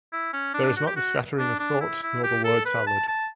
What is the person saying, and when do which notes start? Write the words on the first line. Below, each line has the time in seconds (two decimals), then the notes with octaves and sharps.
There is not the scattering of thought, nor the word salad.
0.13 E4
0.34 C#4
0.54 D4
0.76 F#4
0.87 G4
0.97 F#4
1.39 D4
1.60 D4
1.81 E4
2.03 E4
2.24 G4
2.45 A4
2.66 B4
2.87 A5
3.08 A5